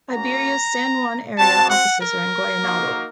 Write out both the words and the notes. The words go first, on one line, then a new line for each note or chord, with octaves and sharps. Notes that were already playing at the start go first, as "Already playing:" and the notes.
Iberia's San Juan-area offices are in Guaynabo.
A#3 C#4 F#4 A#5
C4 F#4 A5
F#5
A#4
A#3 D#4 F#4